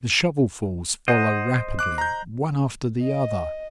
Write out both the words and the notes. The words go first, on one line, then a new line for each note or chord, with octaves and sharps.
The shovelfuls follow rapidly, one after the other.
C5 D#5 F#5
D6 F#6
A#5 G6
D#5